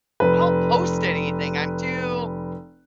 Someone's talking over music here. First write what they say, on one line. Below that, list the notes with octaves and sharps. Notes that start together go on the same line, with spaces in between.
I don't post anything, I'm too
F1 B4